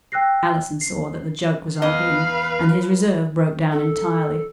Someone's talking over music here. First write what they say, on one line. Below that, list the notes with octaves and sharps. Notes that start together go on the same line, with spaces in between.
Allison saw that the joke was on him, and his reserve broke down entirely.
G5 E6 F#6 A#6 C7
C7
E2 B4 D#5 F5
A4